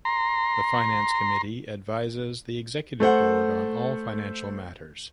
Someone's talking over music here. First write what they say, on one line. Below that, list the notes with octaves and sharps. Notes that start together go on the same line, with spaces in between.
The Finance Committee advises the Executive Board on all financial matters.
A#5 C6
A3 A4 C5 F#5